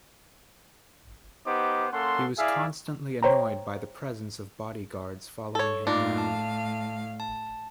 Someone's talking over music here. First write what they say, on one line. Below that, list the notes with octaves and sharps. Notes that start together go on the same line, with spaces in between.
He was constantly annoyed by the presence of bodyguards following him around.
B3 D#4 G4 C5 D6
A#3 C#4 A4 F#5 C6
E4 G#4 D5 E5 F5 G#5
C5 C#5 G5 A#5
A4 C#5
A2 A#3 D4 D#4 F4 F5
A5
A5